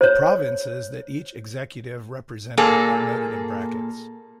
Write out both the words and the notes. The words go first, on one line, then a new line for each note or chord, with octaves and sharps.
The provinces that each executive represented are noted in brackets.
C5 C#5
A#2 A#3 G#4 A4